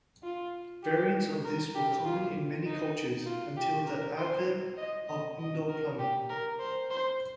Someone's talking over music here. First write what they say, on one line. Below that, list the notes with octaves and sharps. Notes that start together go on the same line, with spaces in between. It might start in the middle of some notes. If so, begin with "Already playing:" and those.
Variants of this were common in many cultures until the advent of indoor plumbing.
F4
G4
A#4
G4
F4
D#4
F4
G4
A#4
C5
D#5
D#5
D#5
A#4
G4
A#4
C5
C5